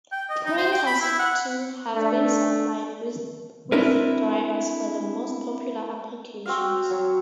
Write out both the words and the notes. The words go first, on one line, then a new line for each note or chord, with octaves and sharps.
Printers, too, have been supplied with drivers for the most popular applications.
G5
D#5
D#4
C5
G5
B5
E4
F#5
A3 D4
C4 D4 E4 A#4 B4
C4 F#4 F5
F#3 C#5